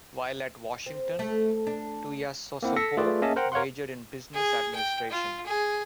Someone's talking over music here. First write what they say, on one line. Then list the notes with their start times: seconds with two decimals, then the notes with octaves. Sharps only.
While at Washington, Tuiasosopo majored in business administration.
0.86 C4
1.19 A3
1.67 D4
2.63 A#3 C4 E4 F#5
2.77 A4 E6 A#6 B6 C#7
2.97 A3 F4 G#4 B4 D5
3.22 A#3 C#4 G#4 D#5 E5 A5
3.36 A#4 C5 F#5 G5 A#5
3.52 A#4 C#5 F5 F#5 C6
4.34 G#4
4.75 G5
5.10 F4
5.46 G#4